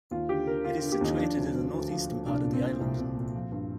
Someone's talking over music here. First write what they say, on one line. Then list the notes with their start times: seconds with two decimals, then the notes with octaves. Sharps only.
It is situated in the northeastern part of the island.
0.11 D#2 F4
0.29 D3 G4
0.47 D3 A#4
0.65 D3 F4
0.78 D3 F4
0.92 G4
1.01 D#2 D#4
1.18 F3 D4
1.36 D2
1.55 D2
1.73 D2
1.90 F3
2.09 D2
2.26 C2 D4
2.44 A#2
2.53 C4
2.62 A#2
2.81 C2
2.99 C2
3.16 A#2
3.34 F3
3.52 G2